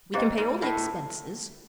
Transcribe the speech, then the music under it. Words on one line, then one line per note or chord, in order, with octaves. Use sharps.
We can pay all the expenses.
A#2 G4 C5 D#5 G5
G#2
A2